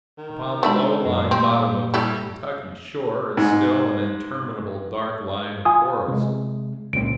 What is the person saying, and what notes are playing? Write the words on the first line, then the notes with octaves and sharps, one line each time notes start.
Upon the low-lying bottom of the Kentucky shore, is still an interminable dark line of forest.
D#3
G#3 A3 D4 D5 E5 B5
F#2 G#3
A#2 G3 C4
G3 A3 E4
G#2
F4 G#5 D#6
C3 G#3
C#2 A#2 C4 D7